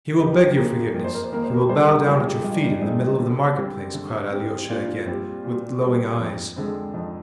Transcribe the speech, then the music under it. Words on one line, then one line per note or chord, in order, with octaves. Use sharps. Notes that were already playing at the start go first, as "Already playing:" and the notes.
"He will beg your forgiveness, he will bow down at your feet in the middle of the market-place," cried Alyosha again, with glowing eyes.
F2 D#4 G4
D#3 A#3 F4 G#4
F2 A#4
C5
A#4
C5
D#3 A#3 A#4
C5
G4 A#4
G2 G#4 C5
G4 A#4
F3 G#3 C4 F4 G#4
D#4 G4
F4
G2 D#4
D4
D#4
D4
F3 G#3 C4 D#4
D#4 G4
D3
G3 C4
D3
G3 C4
A#2 D4 F4
G3 C4
A#2
G3 C4
F2
D3 G#3 C4
F2 D#4